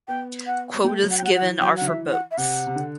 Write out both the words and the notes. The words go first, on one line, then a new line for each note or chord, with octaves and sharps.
Quotas given are for boats.
B3 G5
F#5
G3
A3 G5
F#3
F#5
G5
F#3 F#5
F#5
E3
F#3 G5
D3 F#5
E3 E5
F#5
E5
C3 F#5
C3
D3